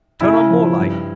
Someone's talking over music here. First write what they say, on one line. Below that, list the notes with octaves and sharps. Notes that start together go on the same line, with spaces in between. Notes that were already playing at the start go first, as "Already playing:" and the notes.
Turn on more light.
C#3 E4
F3
G2